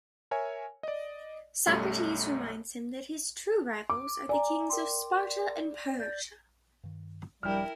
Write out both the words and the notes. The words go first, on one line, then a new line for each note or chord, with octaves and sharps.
Socrates reminds him that his true rivals are the kings of Sparta and Persia.
A#4 C#5 E5 G#5
D5 D#5
B1 F#2 G3 A3
D6
D5 G#5 A#5
A#4 G5 C6
D5 G6 A6
G2 D#3
D#1 F3 G3 D4 E4 A#4 G5 F6